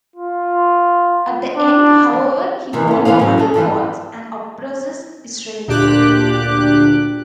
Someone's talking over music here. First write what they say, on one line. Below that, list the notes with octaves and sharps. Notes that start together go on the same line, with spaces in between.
At the end, however, he follows other gods and oppresses Israel.
F4
D4
C3 D#3 E3
B3 C#4
A2 C#3 E3 B4 F5
F#3 C#4
G#4 A4
G2 D3 E3 F3
D2 A#2 D4 G4 D6 F#6